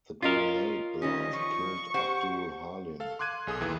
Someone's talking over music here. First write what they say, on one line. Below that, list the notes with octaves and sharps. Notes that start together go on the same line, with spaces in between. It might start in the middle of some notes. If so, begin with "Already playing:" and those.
The grenade blast killed Abdul-Halim.
C#4 F4 A#4 D#5
D#3 G3 C#4 D#5
F3 C#6
G4 C5 F#5
A4 F5
C6 D6 F#6 G#6 D#7
B1 G#4 A4 D#6
D#2 E3